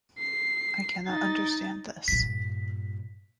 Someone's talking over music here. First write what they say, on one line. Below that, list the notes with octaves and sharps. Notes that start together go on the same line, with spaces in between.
I cannot understand this.
C7
D#4 A6
G2 A#2 B6